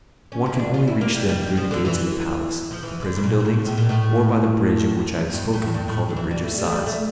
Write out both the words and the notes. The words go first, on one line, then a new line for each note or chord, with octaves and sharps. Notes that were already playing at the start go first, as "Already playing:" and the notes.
One can only reach them through the gates of the palace, the prison buildings, or by the bridge of which I have spoken called the Bridge of Sighs.
C#4
C#4
E4
D4
F4
E4
A#3
G3
G3
G3
F3
D3
E3
F3
E3
D3
C#3
A#2
A#2
A2
A2
A#2
A2
G2
A2
G2
A2
D3
E3
G3
A3
G3
A3
G3
A3